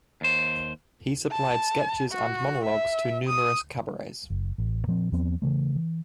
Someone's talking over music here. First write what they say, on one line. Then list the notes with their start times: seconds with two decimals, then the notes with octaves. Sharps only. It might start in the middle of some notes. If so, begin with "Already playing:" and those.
He supplied sketches and monologues to numerous cabarets.
0.21 D#2 C5
1.31 A5
2.12 F#4
2.65 E5
3.28 D#6
4.30 F#1
4.58 A1
4.87 A#2 F3 G3 C4
5.12 E2 F3 B3 C4
5.42 C#3 E3 A3
5.76 E3